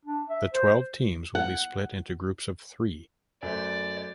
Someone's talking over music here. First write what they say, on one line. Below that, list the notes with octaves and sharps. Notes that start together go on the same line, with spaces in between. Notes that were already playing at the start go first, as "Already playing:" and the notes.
The twelve teams will be split into groups of three.
D4
E5
C5
F#5
F#2 A3 C5 D5